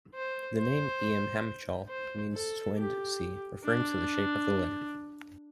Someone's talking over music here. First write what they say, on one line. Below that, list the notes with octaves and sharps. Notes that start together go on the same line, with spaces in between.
The name "Eamhancholl" means "twinned C", referring to the shape of the letter.
C5
C5
C5
A4
G4
D4